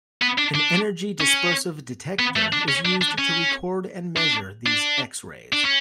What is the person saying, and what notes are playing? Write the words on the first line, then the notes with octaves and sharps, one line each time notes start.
An energy dispersive detector is used to record and measure these X-rays.
B3
D4
D4
C#4
B3
A3
D4
C#4
D4
D4
C#4
D4
D4
D4
C#4